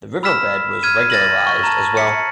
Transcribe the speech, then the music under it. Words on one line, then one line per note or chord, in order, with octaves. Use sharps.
The river-bed was regularised as well.
B5 E6 F6 B6 E7
F6 G#6 D#7
A6 A#6 F#7
C#6
A5 A#5
B6 C#7